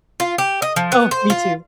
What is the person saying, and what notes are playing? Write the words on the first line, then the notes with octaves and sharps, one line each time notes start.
Oh, me too.
F4
G4
D#5
F3
B3
C5
F4